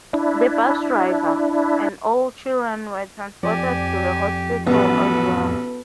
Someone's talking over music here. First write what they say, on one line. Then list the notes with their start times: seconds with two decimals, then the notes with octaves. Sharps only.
The bus driver and all children were transported to the hospital as well.
0.13 D4 E4
3.43 F2 G4 D5 G#5
4.67 A1 G3 B3 F#4 A4 B4